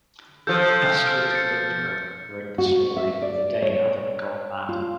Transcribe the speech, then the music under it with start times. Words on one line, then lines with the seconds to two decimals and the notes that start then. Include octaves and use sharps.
Astrid Lindgren wrote the story "The Day Adam Got Mad".
0.47 F3 A4 G6
1.06 F6 D7
1.31 A6 C#7
2.58 F#4
2.97 E5
3.22 D5
3.62 C#5
4.69 F4